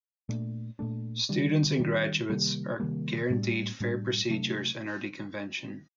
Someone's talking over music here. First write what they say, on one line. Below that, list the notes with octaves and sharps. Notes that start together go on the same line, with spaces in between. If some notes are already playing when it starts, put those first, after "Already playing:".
Students and graduates are guaranteed fair procedures under the Convention.
A#2 A3 D4
A#2 A3 D4
D#3 G3 D4
D#3 G3 D4
C3 D#3 G3 A#3
C3 D#3 G3 A#3
A2 G3 D4
A2 G3 D4
C3 F#3 A3 D4